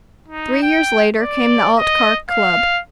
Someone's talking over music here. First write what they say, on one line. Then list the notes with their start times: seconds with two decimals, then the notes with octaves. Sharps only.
Three years later came the Altcar Club.
0.28 D#4
0.63 G5
1.19 D5
1.78 D#5
2.30 F5